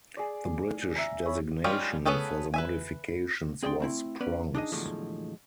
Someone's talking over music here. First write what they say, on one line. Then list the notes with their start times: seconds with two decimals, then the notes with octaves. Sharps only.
The British designation for the modifications was Prongs.
0.17 G#4 D5
0.96 E5 A#5
1.26 C#5 B5
1.64 G3 G#3 C#4 F4 B5
2.05 B3 C#4 G#4 A4 B4
2.54 B4 E5 G#5
3.63 C4 G#4 D5 E5 G5 C6
3.80 A3 C4 E4
4.21 B3 C#4 B4 D5
4.55 D4 D#4 G#4 D#5
4.72 E2 A2 D3 F3 F#3 G#3